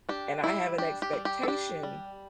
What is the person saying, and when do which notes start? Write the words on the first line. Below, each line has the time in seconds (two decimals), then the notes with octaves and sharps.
and I have an expectation
0.09 D4 G4
0.43 G3 E4
0.78 D4 G4
1.02 G4
1.13 G3
1.25 G4
1.43 A4
1.48 D4 G4
1.83 G3